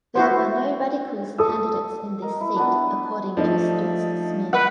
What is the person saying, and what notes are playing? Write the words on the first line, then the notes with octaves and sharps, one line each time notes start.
There were no Radicals candidates in this seat, according to Stooks Smith.
E4 F#4 C5
A4 D#6 E6
A#4 D#5
E4
B3 D4
F3 A3 D4 D#4 D#5
B4 F#5